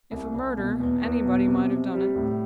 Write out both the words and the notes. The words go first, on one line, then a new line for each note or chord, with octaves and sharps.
If a murder, anybody might have done it.
C2
C2
B2
E2
E2
B2
C3
C3
G3
A2